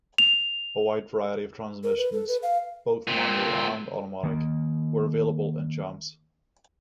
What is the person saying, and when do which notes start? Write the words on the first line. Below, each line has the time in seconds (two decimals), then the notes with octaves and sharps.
A wide variety of transmissions, both manual and automatic, were available in Champs.
0.18 F7
1.84 A#4
1.97 B4
2.13 A4
2.28 B4
2.43 F5
3.07 A#2 C4
4.23 D#3 A#3